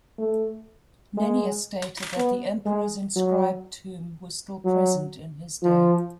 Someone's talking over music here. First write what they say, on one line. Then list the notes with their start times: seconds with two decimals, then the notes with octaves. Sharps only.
Nennius stated that the emperor's inscribed tomb was still present in his day.
0.19 A3
1.17 G#3
2.17 B3
2.66 G#3
3.16 F#3
4.65 F#3
5.63 F3